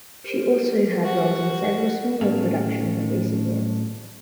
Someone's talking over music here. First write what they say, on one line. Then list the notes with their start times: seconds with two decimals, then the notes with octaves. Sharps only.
She also had roles in a several smaller productions in recent years.
0.24 G4 A#4 C5
1.04 F#4
2.21 A2 C#4 A4 F5